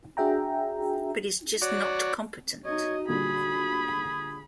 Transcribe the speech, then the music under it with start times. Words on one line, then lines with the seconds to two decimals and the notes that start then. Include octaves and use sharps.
But he's just not competent.
0.17 D4 F#4 G#4 E5 G5 A#5
1.62 F#4 C#5 D5
2.65 D#4 F#4 C#5 D#5
3.08 A#2 D3 G3 G#4 B5